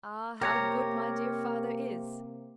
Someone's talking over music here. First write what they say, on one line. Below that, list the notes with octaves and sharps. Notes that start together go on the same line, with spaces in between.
"Ah, how good my dear father is!"
C3 A#3 G4 A#4 C#5 A#5